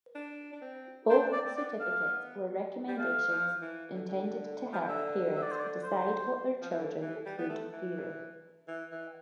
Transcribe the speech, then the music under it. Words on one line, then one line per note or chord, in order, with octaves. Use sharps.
Both certificates were recommendations intended to help parents decide what their children could view.
D4
D4
C4
D4 C5
C4 D5
C4
B3 D5
A3 F5
B3
G3
A3 F5
F3
E3
D3
D3
F3
E3
D3 E5
E5
D5
C5
D5
C5
F3
E3
D3
E3
G3
B3
A3
E3
E3
E3